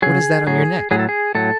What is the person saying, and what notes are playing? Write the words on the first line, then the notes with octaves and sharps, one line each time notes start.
"What is that on your neck?"
C#3 F#3 G#4
A2 F#3 G#4
A2 F#3 G#4
A4
G#4
A2 F#3 A4